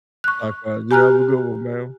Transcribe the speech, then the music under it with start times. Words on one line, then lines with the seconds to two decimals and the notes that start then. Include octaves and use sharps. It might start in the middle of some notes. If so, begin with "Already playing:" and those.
Likewise, you have a good one, ma'am.
0.24 C#6 F#6
0.91 G4 G#5 A#5 F6 F#6